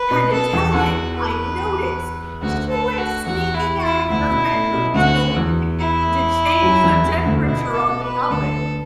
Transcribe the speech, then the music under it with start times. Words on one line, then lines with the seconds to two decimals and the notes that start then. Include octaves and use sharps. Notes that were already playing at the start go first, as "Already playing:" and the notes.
had to tell him, I noticed she went sneaking out of her bedroom to go into the kitchen to change the temperature on the oven,
Already playing: B4
0.11 B2 B3
0.32 B2 B3 A4
0.53 E2 E3
0.74 E2 E3 F#4
1.16 B4
2.42 D2 D3 F#4
2.70 A4
2.98 F#4
3.26 E2 E3 F#4
3.54 E4
3.83 E4
4.10 D2 D3 E4
4.31 B2
4.52 A2
4.73 B2
4.94 D2 D3 F#4
5.30 D3
5.36 E2 E3
5.79 E4
6.62 F#2 F#3
6.83 E2 E3
7.04 E2 E3
7.25 D2 D3
7.46 B2 E4
7.74 A4
7.88 B2
8.03 B4
8.30 D2 D3 A4
8.61 B3